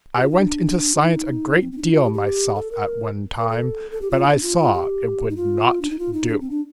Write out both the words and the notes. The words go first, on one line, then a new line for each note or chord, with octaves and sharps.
I went into science a great deal myself at one time; but I saw it would not do.
G4
F4
D#4
D4
F4
D#4
C4
C4
D#4
D4
F4
G4
G4
A4
A#4
A#4
A4
A4
G4
F4
D4
F4
F4
G4
D#4
F4
D4
D#4
F4
D#4
D4
C4
D4